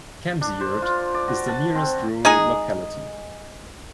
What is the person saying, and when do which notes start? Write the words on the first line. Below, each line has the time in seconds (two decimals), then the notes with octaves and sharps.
Kemsiyurt is the nearest rural locality.
0.41 D4
0.60 C5
0.82 F4
1.14 D5
1.28 F#4
1.48 A5
1.75 C4
2.25 G#3 D#4 G#4